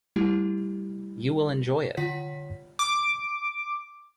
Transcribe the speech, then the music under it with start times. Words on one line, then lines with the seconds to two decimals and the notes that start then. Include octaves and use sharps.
You will enjoy it.
0.16 G3 A3 E4 G4
1.97 D3 F4 C#5 F#5 B6
2.79 D6